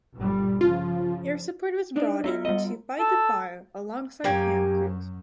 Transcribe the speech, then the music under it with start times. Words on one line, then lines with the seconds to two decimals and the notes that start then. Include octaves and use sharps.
Air support was brought in to fight the fire alongside hand crews.
0.16 G1 A#2 G3
0.61 C#3 F3 F4
1.96 D4 D#4 D5
2.24 B3 F4 F#4
2.45 G3 B3 D#5
2.99 A4
4.24 F#2 A#3 G4 G#5